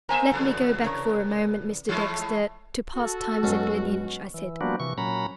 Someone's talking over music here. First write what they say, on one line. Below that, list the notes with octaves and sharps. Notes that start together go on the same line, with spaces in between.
"Let me go back for a moment, Mr. Dexter, to past times at Gleninch," I said.
B3 A#4 C5 E5 G#5 A#5
E2 C3 F#3 A4
C#3 A#4 C#5
E3 G#3 A3 E4 C#5
F#4 A4
F#2 B2 G#3 C#4
E3
F3 G3 A#3 B3 D4 F#4
C3 E3 C#6
A#2 F#3 C#4 A#5 B5